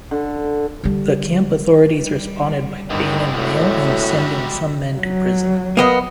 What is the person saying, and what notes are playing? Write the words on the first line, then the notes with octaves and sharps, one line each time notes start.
The camp authorities responded by banning mail and sending some men to prison.
D3
D3 G3
G3
G1 G2 D#3 G#3 C4 E4
A2 G3 G#3 F#4 E5
F#3
A#3 B3 D#5